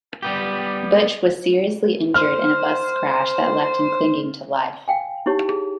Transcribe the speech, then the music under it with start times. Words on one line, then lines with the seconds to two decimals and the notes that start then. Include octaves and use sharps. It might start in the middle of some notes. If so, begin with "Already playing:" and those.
Butch was seriously injured in a bus crash that left him clinging to life.
0.22 G3 B3 G4
2.14 C5 F6
4.88 F5 G5 G#5
5.26 D#4 E4 G4 C#5
5.48 G#4